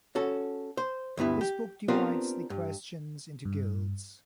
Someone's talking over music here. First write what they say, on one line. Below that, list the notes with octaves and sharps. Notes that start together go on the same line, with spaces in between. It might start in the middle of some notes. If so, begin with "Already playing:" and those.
This book divides the questions into guilds.
C#4 F#4 A4
C5
D2 G2 B3 E4
G4
B3 C4 D4 F4 G4 A#4
G2
G2